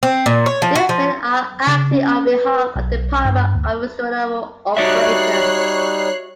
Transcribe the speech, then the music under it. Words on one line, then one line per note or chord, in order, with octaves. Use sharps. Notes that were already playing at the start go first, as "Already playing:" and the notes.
These men are acting on behalf of the Department of Extranormal Operations.
C4
A#2
C#5
F3
F#4
F3
C#3
C#4
B4
B1
G2
D2
G3 D#4 F#4 C#5 D5 E5 F#6 C7